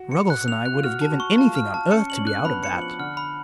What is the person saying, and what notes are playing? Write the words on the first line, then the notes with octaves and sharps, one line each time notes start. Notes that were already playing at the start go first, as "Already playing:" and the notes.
Ruggles and I would have given anything on earth to be out of that.
Already playing: F#4
C#7
F#6
F7
F#6
F4
F#4 F6
A5
F#4
C#6
F4 A5
F6
A5
C#4 C#7
C#4 F#7
D4
F#6
B3 B5
C#7
F3
F#7
D3 F6
B5